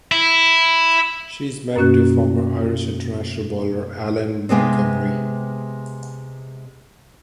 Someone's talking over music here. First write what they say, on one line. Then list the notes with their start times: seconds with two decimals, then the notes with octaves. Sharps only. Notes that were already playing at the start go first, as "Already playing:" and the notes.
She is married to former Irish International bowler Alan Montgomery.
0.12 E4
1.76 F#2 B2 A#3 C#4 F#4 F#6
4.49 C3 G#3 B3 C4